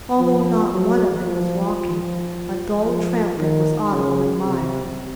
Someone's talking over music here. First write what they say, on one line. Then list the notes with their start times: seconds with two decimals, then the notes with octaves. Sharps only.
Although not one of them was walking, a dull trampling was audible in the mire.
0.19 F3
0.72 F#3
1.25 F3
1.78 F3
2.84 F3
3.37 D#3
3.91 C#3
4.44 C3